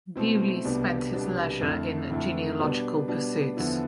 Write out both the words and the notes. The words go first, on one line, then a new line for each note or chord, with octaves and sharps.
Bewley spent his leisure in genealogical pursuits.
B2 A3 C4 E4
C2 B2 G3 B3 D4
C2 B2 G3 B3 D4
F2 D3 A3 E4
F2 D3 A3 E4
B2 G3 B3 D4
B2 G3 B3 D4
E2 D3 F3 B3 E4